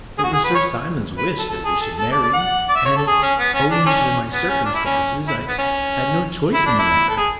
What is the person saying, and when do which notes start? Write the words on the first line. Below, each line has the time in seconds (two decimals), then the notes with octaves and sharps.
It was Sir Simon's wish that we should marry, and, owing to my circumstances, I had no choice in the matter.
0.18 G#4
0.23 F#4
0.33 G#4
0.44 B4
0.55 C#5
1.18 B4
1.38 A4
1.49 A4
1.65 G#4
1.80 A4
1.97 A4
2.12 D5
2.22 D5
2.33 F#5
2.69 D5
2.75 E5
2.86 C#5
2.96 A4
3.07 G#4
3.22 C#4
3.39 B3
3.54 C#4
3.70 D4
3.86 C#4
4.33 B3
4.49 C#4
4.65 D4
4.75 E4
4.86 C#4
5.27 E4
5.48 B3
5.59 C#4
6.54 E4
6.66 D4
6.79 E4
7.09 A4
7.17 G#4